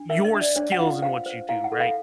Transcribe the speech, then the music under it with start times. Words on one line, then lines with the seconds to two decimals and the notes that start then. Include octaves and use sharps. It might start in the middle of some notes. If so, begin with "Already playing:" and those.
your skills and what you do, right?
Already playing: D4
0.09 A#4 E5
0.24 D#5
0.33 D4
0.41 D5
0.56 D4 C#5
0.72 F#5
0.79 F4 F5
1.02 C5 F5
1.26 C5
1.49 E4 F5
1.64 F#5
1.72 A4
1.80 F5